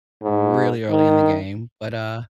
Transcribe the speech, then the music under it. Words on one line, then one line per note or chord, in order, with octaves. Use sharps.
really early in the game, but, uh
G#2
D#3